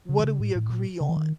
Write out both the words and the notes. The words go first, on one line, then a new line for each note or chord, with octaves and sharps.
What do we agree on."
C#3
D3
C#3
A2
A2
A#2
C#3
E3
D#3